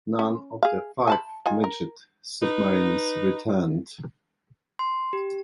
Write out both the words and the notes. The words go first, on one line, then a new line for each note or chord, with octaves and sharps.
None of the five midget submarines returned.
C#4
G#4 F5
G#5 A5 B5
D#3 F4 G#5
A#4
D#4 B4
C6
G4